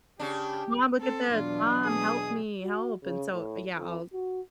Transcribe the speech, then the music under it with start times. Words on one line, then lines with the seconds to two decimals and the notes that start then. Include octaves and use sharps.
"Mom, look at this." "Mom, help me, help," and so, uh, yeah, I'll
0.20 C#3 D4 G4
1.01 C4 A4
1.32 E2 B2 F#3 D4 F4
1.85 G#4 D#6
2.63 F#4
3.04 C#3
3.33 A2
3.75 F2
4.13 F#4